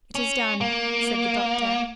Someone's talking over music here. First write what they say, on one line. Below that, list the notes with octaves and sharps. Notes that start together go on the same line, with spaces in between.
"It is done," said the doctor.
C#4
A#3